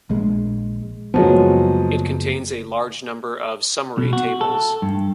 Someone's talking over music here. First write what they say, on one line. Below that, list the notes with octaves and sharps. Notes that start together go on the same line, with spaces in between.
It contains a large number of summary tables.
A#1 G#3
F#1 F2 F3 F#3 G#3 B3
B2
F#4
A4
G2